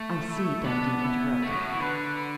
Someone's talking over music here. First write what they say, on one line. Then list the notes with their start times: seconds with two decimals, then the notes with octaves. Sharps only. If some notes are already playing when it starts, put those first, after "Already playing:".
"I see," Dundee interrupted.
Already playing: A3
0.26 E4
0.64 B3 D4
1.03 E4
1.42 E2 A3 F#4
1.51 F#2
1.61 A2
1.73 E3
1.80 D3 B4